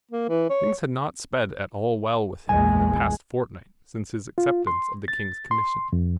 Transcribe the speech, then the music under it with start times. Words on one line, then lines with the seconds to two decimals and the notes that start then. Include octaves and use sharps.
Things had not sped at all well with him in the past fortnight since his acceptance of the King's commission.
0.11 A#3
0.29 E3
0.50 C#5
2.49 A#1 E2 G#3 G#5
4.38 F4
4.67 C6
5.08 A6
5.51 C6
5.93 F2